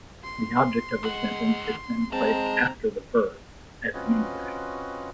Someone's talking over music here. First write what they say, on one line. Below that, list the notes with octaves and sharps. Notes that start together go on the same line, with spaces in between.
The object of the sentence is then placed after the verb, as in English.
C6
D#2 G#3 F#5
G#3 C4 D#4 A5 A#5
C4 C#4 F4 F#4 B4 D#5